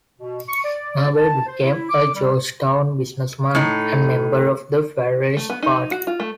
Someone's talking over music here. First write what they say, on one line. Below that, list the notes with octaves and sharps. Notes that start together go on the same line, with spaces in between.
Marbury became a Georgetown businessman and member of the Federalist Party.
B2
C#6
D5
D5
A5
C5
E4
D6
G3
A2 D#4
A3
B3
D#4
F#4
F4
A3